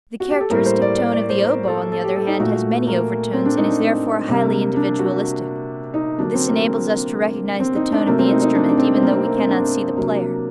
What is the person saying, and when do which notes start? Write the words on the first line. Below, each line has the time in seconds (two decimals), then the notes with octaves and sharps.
The characteristic tone of the oboe on the other hand has many overtones and is therefore highly individualistic: this enables us to recognize the tone of the instrument even though we cannot see the player.
0.20 F#4
0.31 G4
0.40 A4
0.50 A2 G3 A#3 A#4
0.66 C5
0.82 D5
0.97 D5
1.13 D5
1.29 C5
1.45 A#4
1.68 A4
1.92 A4
2.04 G4
2.16 A4
2.27 D#4
2.39 A#2 A3 F#4
2.87 A#3
3.33 C4
3.45 D4
3.57 D#4
3.69 D4
4.28 C3 G3 A#3
4.76 D4
4.99 F#4
5.94 D#4
6.18 D3 F#3 A#3 D4
6.34 C4
6.49 A#3
7.60 C4
7.75 D#4
7.92 D4
8.07 C3 F#3 A3 A#3
8.19 C4
8.31 D#4
8.42 D#4
8.55 D4
8.69 D4
8.78 C4
8.97 C4
9.02 A#3
9.13 C4
9.25 A#3
9.38 C4
9.49 D4
9.97 C3 F#3 A#3